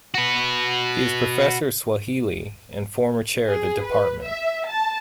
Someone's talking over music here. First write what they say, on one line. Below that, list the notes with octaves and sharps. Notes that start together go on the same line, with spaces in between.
He is Professor of Swahili and former chair of the Dept.
F#4 B4
G#4
B4
E5
A5